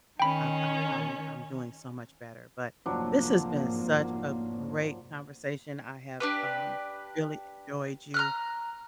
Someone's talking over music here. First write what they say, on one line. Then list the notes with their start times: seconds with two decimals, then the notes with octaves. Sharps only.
I've I've I'm I'm doing so much better." But, this has been such a great conversation, I have um, really enjoyed you.
0.20 D#3 C#4 G5 B5
2.86 F1 G#2 F3 F#3 A#3 D4
6.20 D4 G4 B4
8.14 A#5 F6 F#6